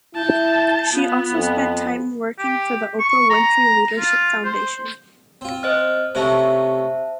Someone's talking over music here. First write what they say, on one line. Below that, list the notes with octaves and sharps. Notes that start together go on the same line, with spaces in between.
She also spent time working for the Oprah Winfrey Leadership Foundation.
E4 A5 G6
B3 F4
F2
G4
C#6
A#5
F4
C5
C4 F4
C5 D#5 F6
C3 A3 C#4 C5 E5 A5